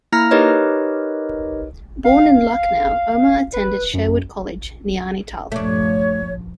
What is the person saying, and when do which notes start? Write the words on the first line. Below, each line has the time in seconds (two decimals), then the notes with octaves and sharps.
Born in Lucknow, Omar attended Sherwood College, Naini Tal.
0.12 A#3 E4 A#5 F6 A#6
0.31 D#4 G4 A#4 B4 C#5 D#5
2.04 F5
3.53 B4
3.94 F#2
5.52 G2 A#2 F3 A3 D4 C#5